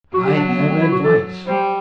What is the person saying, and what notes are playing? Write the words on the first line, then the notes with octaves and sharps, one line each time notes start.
I have advice.
F#3 F#4
G4
D4
B3
A3
C4
E4
F#4
A4
G3 C5